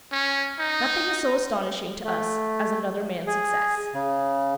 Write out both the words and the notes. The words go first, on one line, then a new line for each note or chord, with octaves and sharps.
Nothing is so astonishing to us as another man's success.
C#4
D#4
A3
G#4
C#3